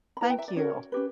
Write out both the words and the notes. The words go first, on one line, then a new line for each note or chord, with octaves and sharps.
Thank you.
B5
E4 B4 A#5
G5
E5
D5
C#4 F#4 A#4 C#5
C#4 G4 B4